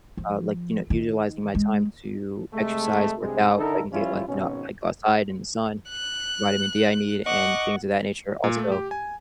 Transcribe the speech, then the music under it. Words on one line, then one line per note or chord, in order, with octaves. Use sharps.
uh like, you know, utilizing my time to exercise, work out, so I can get, like, you know, I go outside in the sun, get the vitamin D I need, and things of that nature, also,
F3
D#3
G#3
C3 G#3 A3
G2 C3 G#3
D3 D#4 E4 A4 A#4
F3 G3 C#4 E4 F4
G#1 B2 C#4
F#6
D#5 F#5 C#6 D6
A#2
A3
G4
G#5